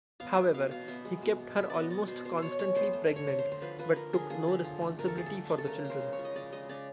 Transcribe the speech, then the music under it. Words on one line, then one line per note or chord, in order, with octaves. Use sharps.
However, he kept her almost constantly pregnant, but took no responsibility for the children.
B3 F5
B2 E5
B2 F5
B2 F5
B3 E5
G#3
B2
G#3
B3 E5
B3 D5 D#5
B3 D5
B2 C5
B2 C5
B2 C5 C#5
G#3 C#5
B3 C5
A3 C5
D3
C#5
D3
C5
D3
C5
F3 B4
F3 B4
D3 A#4
D3 G#4
F3 G#4
D3
F3
A3
D3 A#4
A4
A3 G#4
A4
A3
A3
A4
C#3 A#4
C#3
C5
G#3
C#5
F3
D#5
C#3 D5
G#3 D#5
C#3 D5